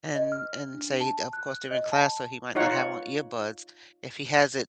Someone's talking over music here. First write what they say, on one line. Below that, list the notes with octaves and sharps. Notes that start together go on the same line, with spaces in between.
and and say of course, they're in class, so he might not have on earbuds. If he has it
D#5
F6
D4
A5
F#6
D#5
A5
D#4 F4 C#5 F#5